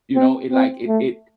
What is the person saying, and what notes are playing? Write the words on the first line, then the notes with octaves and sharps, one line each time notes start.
You know, it like it it
C4
C4
A3